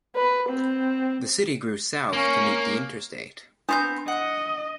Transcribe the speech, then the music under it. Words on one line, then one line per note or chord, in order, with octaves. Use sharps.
The city grew south to meet the interstate.
B4
C4
A#3 C#4
B3 C4 D4 G6
D#5 F#5